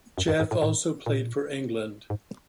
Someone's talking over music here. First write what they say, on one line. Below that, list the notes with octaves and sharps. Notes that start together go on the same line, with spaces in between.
Geoff also played for England.
F#2
G2
G#2
A2
A2
A#2
G#2